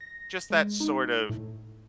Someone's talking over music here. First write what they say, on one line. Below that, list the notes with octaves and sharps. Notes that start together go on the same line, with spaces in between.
just that sort of
A#6
G#3
D#4
A2